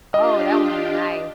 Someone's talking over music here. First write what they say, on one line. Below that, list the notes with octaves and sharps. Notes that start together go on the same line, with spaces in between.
Oh, that would be nice.
D4 F4 G4 D#5